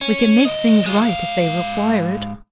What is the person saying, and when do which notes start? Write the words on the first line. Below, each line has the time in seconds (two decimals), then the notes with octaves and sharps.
We can make things right if they require it.
0.01 C#4
0.45 A2 D#5
0.86 G#3 F4
1.02 G#2 F5